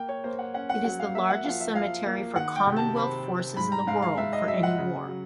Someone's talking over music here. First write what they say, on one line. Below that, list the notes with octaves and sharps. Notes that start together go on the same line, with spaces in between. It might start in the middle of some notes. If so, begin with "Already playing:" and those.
It is the largest cemetery for Commonwealth forces in the world, for any war.
Already playing: A#3 G5
C#5
A#3 C5
F#5
C#4 F#5
F#5
F#3 F#5
F5
A#3 E5
F#5
F3 F5
E5
F3 F5
A#3
D#3 F#5
G5
C3
A5
C4 B5
C4
G#2 B5
A#5
G#2 F5
F5
G#2 E5
D#5
F#3 E5
F#5
C#3
F#3